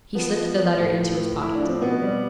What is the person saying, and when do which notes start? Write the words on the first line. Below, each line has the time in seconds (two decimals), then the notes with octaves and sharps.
He slipped the letter into his pocket.
0.15 F3 B3
0.36 F3
0.57 F3
0.77 A2
0.98 F3
1.19 A2
1.39 A2 E4
1.55 D4
1.61 F3
1.69 C4
1.81 B2 B3
2.02 G3